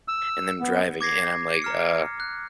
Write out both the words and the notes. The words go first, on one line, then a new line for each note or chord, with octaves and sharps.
and them driving, and I'm like, "Uh,"
E6
B3
D6 G#6 A#6 C7
A#5 F6 C#7
F#6